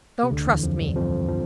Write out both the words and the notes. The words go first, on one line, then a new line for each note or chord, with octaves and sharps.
"Don't trust me!"
C3
D2 D3
E2 E3
F2 F3
G2 G3
F2 F3
F3